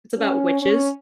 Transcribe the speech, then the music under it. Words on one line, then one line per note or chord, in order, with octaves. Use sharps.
it's about witches,
C#4
C#4